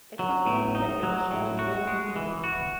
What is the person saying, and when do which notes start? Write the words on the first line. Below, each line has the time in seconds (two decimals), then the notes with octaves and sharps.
It was the only day that he shaved his beard completely.
0.19 F#3
0.47 A2
0.75 D#4
1.03 F#3
1.31 A2
1.59 F#4
1.87 G#3
2.16 E3
2.44 F#4